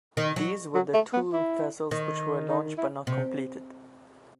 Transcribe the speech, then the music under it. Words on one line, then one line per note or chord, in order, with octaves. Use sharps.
These were the two vessels which were launched but not completed.
D#3
F#3
F#3
A3
B3
E4
D#3
D#4
E4
C3